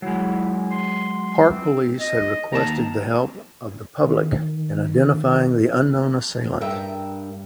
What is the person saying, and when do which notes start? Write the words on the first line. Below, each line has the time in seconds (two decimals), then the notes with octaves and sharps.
Park Police had requested the help of the public in identifying the unknown assailant.
0.02 F#3 G#3 E4
0.71 C6
1.47 C4
2.00 D#5
2.52 D#2 A5 A#5
4.04 D#3
6.61 G2 A#4 E5 G5